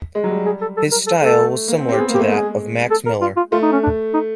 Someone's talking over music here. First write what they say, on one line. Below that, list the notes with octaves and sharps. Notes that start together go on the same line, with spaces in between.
His style was similar to that of Max Miller.
G#3
F#3
G3
G#4
A4
A4
A#4
A4
A3 A4
A#3
C4
C4
G4
B3 G#4
A#3
G4
A3
G#3 G#4
A4
A#4
F4
F4
A3 F4
D#4
C#4
D4
D#4